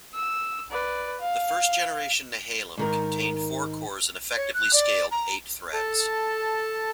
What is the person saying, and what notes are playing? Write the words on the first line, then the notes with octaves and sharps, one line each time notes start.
The first generation Nehalem contained four cores and effectively scaled eight threads.
E6
B4 D5
F5
G#2 D#3 A#4
C#5
F#6
D5
A#5
A4 A5